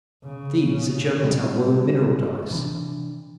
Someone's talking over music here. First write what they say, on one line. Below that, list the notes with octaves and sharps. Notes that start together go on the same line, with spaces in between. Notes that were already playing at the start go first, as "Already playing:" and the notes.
These are Germantown wool and mineral dyes.'
C#3
G3 G#3 C4
C3 E3 D4